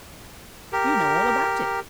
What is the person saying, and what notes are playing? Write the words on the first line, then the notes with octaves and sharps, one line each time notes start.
You know all about it.
G4 A#4